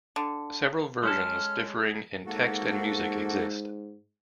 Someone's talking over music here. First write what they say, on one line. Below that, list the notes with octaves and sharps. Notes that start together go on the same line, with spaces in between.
Several versions, differing in text and music, exist.
D3
G#3 C#4 A4 F6
G#4
G#2 A#3 F#4 A4